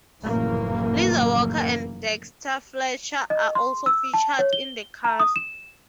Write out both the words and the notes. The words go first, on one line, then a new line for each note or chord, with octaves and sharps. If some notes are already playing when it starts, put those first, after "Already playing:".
Liza Walker and Dexter Fletcher are also featured in the cast.
F1 F#2 A2 C#3 E3 A#3
D#5
C6
E6
A5
C#5
G7
A#5
D#6
E7